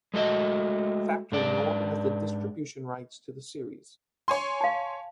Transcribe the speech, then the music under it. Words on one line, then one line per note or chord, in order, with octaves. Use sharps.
Factory no longer has the distribution rights to the series.
G#3 A3 F#4 D#5
G#2 D4 D5
C#5 G#5 C6
F5 A5